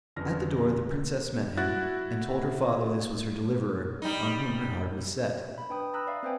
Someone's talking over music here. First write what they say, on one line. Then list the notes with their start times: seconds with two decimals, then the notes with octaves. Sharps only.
At the door the Princess met him, and told her father this was her deliverer, on whom her heart was set.
0.16 G1 F2 C#3 D4 F6 A#6
1.57 E4 F#4 F#6 A6
4.02 G3 D#4
5.58 B5
5.70 D4 B4 G5 B5 D#6
5.94 A#5 B5 D#6 E6 F#6
6.07 D5 E5 F5
6.23 C4 B4 C5 E5 G5 G#5